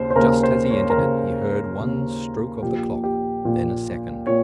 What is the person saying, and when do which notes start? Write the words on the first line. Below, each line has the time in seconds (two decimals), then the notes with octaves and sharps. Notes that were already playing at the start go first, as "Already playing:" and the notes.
Just as he entered it he heard one stroke of the clock, then a second.
Already playing: D#2 C#3 C5
0.10 C5
0.16 D#2 C#3 A#4
0.43 C5
0.70 C#5
0.90 A#4
0.98 D#2 C#3 C5
1.80 D#2 C#3
2.62 A#1 A#2 G4
3.04 G4
3.45 A#1 A#2
4.27 A#2 C#5